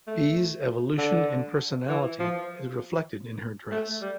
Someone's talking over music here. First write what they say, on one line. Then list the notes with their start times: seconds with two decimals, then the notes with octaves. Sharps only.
Bee's evolution in personality is reflected in her dress.
0.07 A3
0.98 D3
1.89 E3
2.19 F3
3.72 A3
4.02 G3